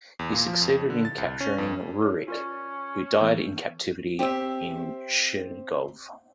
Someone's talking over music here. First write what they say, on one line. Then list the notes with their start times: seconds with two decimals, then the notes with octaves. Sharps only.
He succeeded in capturing Rurik, who died in captivity in Chernigov.
0.19 E2
0.32 A#2
0.47 F3
0.62 F2
0.90 D3
1.05 A6
1.18 C2
1.41 C#4
1.58 F2
2.01 A4 C#5
2.28 C#4 F4 A#4 D5
3.21 E3 B3 A4 G6
4.19 C4 G4 C5 E5